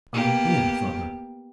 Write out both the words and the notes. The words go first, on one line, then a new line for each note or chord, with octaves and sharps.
"I hear, father."
A#3 B3 G4